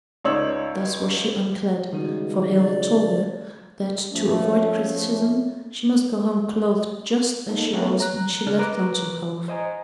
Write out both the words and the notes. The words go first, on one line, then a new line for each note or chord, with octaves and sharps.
Thus was she unclad, for Hale had told her that, to avoid criticism, she must go home clothed just as she was when she left Lonesome Cove.
C#2 D#4 C#5 D5 E6 F#7
C#2 D#3 G3 F#4
D5
F3 A3 C#4
A#3 D#4 A4
A3 B3 C#4 F#4 G4 A#4
A#5 F#6
C#3 D4 F6 F#6
A#4 B4 A#5 D6 F#6
C5 D#5 G#5 A#5